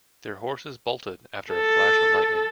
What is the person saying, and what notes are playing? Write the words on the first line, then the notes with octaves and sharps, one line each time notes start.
Their horses bolted after a flash of lightning.
A4